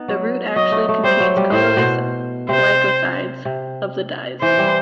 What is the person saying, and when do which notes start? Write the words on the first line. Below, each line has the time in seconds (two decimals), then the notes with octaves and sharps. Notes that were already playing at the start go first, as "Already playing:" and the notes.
The root actually contains colorless glycosides of the dyes.
Already playing: B3 D#4
0.08 F#3
0.56 F#3 D#5
0.72 A3
0.89 A3
1.04 G3 C5
1.20 F#3
1.37 G3
1.52 A2 C5
1.77 B2
2.49 C3 C5
3.45 C3
4.41 E3 C5
4.58 G3